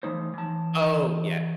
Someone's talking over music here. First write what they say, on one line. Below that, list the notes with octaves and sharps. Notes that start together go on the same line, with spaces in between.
Oh, yeah.
E3 A3 D#4 C5
E3 A5